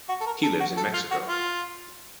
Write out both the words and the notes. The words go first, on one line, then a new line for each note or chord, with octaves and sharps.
He lives in Mexico.
F#4
A4
A#4
A4
F#4
A4
F4
F#4
F4